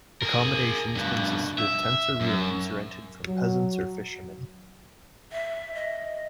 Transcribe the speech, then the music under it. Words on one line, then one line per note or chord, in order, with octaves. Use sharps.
Accommodations consisted of tents or rooms rented from peasants or fishermen.
G#4 A#4
G2 B2
E5
F#2
F#3
E5
D#5